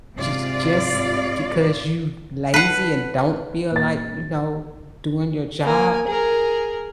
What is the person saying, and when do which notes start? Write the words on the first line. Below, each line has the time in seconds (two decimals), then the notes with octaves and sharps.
jus just because you lazy and don't feel like, you know, doing your job,
0.15 G#2 C3 F4 D5
2.54 B4 F#5 A5 C7
3.72 A#2 A6
5.64 A#3 G#5
6.07 G#4 A#4